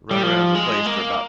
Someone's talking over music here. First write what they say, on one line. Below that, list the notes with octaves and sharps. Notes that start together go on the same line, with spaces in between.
run around the place for about
G3
F3
G#3
A#3